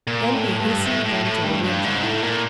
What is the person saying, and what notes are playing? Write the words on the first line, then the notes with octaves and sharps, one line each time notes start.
Then he hastened home to William John.
A#2
A2
G2
A2
A2
A2
G2
G2
G#2
A2
A#2